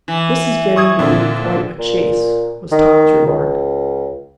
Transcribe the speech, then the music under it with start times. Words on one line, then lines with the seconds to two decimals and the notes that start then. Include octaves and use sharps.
"This is getting to be quite a chase," was Tom's remark.
0.08 E3
0.76 C#6 D#6 G#6
0.99 A#2 D3 C4
1.79 A#2
2.72 D#3
3.27 C#2